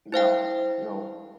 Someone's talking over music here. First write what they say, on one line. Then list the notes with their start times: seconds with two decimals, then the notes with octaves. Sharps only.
No. Nope.
0.12 E4 C5 F5 G5